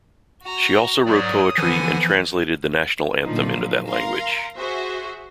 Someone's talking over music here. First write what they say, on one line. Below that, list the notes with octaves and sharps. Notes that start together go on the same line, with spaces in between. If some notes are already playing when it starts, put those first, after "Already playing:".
She also wrote poetry and translated the national anthem into that language.
F#4 A#5
G#2 F#3 A#4 C#5 D5 D#6
D3 E3 F3 B3 F#5 G#5 D#7
A#2 D3 F3 F#3 D#4 F4
A#4 F5 A#5 C6
F#4 G#4 C5 E5